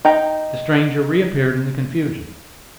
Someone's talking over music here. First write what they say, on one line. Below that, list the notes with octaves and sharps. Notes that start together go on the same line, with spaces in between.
The stranger reappeared in the confusion.
D#4 G5 A#5